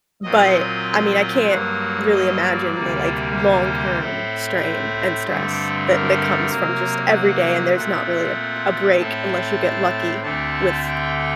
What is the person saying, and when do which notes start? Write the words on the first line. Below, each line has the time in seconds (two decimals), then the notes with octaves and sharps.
but, I mean, I can't really imagine the, like, long-term strain and stress that that comes from just every day and there's not really a b a break unless you get lucky with
0.23 A#2 F#3 C4 D#5
1.48 G2 F#3 A#3 F#5
2.11 D#5
2.43 D5
2.74 D2 C3 G3 A#3
3.36 C5
3.99 A2 A3 C4
4.62 C5
5.24 G2 D3 A3 C4
5.86 A#4
6.49 C3 F#3 A#3
7.11 F#5
7.74 A#2 A3 C4 F#5
8.99 A2 A3 C4 A5
10.23 D2 D3 A3 C4 A5
10.86 G5